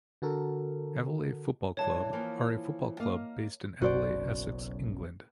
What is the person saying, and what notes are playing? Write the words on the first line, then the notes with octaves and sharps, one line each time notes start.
Aveley Football Club are a football club based in Aveley, Essex, England.
D3 F#4 A4 A#4
G2 E3 C#5 A5
E3 F3 A#3
A#3 D#5 F5
F#1 B1 F#2 F#4 C5 D5